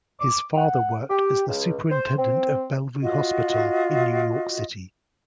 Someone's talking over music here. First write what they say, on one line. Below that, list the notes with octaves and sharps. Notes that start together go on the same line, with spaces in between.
His father worked as the superintendent of Bellevue Hospital in New York City.
D6
F#5
G4
C#2
C5
C4
F4 F#4 D#5